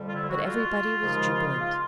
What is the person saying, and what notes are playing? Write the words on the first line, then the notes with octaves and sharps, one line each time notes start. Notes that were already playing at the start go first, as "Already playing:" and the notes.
But everybody was jubilant.
Already playing: F2 D3 G3
F4
E4
F#4
F4
D#2 C#3 F3 G#3
F4